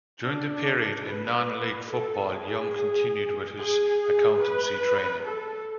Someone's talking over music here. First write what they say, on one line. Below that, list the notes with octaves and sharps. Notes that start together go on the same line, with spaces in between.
During the period in non-league football Young continued with his accountancy training.
D4
B4
A4
G#4
G#4
B4
A4